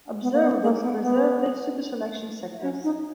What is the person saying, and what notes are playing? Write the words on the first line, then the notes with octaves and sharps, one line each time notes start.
Observables preserve the superselection sectors.
B3
A#3
B3
A#3
B3
B3
C#4
D#4